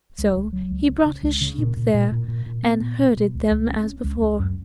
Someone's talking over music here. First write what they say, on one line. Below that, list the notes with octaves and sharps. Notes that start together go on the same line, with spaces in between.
So he brought his sheep there, and herded them as before.
C#2
C#2
F#3
C#2
C#3
C#3
C#2
C#3
A#2
A#2
A#2
A#2
A#2
A#2
B3
A#2
B2
B2
C#2
C#2
C#4
C#4
C#2
C#2
F#2